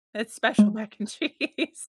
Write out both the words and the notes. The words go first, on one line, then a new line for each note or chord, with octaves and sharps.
It's special mac and cheese.
G#3